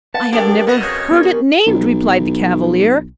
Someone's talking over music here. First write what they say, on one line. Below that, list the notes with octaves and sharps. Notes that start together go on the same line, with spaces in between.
"I have never heard it named," replied the Cavalier.
B4 F5 F#5 A5
F#2 D4 G4 A4 A#4 C6
B2 B3 D#5
F#3 C4 G#4 C#5
B3 G4 A#4
D#3 C#4
B1